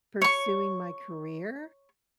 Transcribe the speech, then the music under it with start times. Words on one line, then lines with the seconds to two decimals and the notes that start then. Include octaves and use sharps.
pursuing my career,
0.22 C#5 C#6